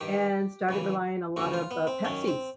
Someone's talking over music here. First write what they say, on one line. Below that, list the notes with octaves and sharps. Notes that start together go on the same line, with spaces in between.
And started relying a lot of, uh, Pepsi's,
G2 D#3 G4
C#2 C#3 E3
D2 C#3 E3 F#4
F4
B3
C4
F#2 D#3 C#4
C4